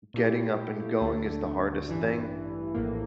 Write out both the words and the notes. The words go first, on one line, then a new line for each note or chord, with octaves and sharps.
getting up and going is the hardest thing,
A#2 A3 E4 G4
D2 D3 A3
A1 G2 E3
A#1 A2 E3 A#3